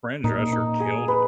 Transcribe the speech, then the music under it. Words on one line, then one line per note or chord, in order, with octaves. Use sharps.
Fran Drescher killed it.
A#2 D#4
D#4
G#4
B4